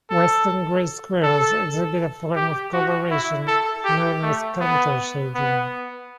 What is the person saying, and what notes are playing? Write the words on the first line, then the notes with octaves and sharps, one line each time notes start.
Western gray squirrels exhibit a form of coloration known as counter shading.
A4
A4
G4
F#4
E4
A4
G4
A3
B3
B3